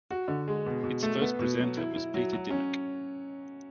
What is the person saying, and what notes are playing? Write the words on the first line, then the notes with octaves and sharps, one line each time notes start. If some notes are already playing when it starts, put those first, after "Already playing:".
Its first presenter was Peter Dimmock.
F#4
D3
G#3
B2
B2
A3
B3
B2
F#3
E4
E4
F#3
F#3
C#4